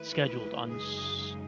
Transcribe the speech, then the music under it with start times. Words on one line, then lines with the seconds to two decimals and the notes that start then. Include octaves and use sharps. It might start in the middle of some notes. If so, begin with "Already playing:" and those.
scheduled on S
Already playing: D#3 A3 E4 B4
0.66 F#2 C#3 G#3 D#4 G#4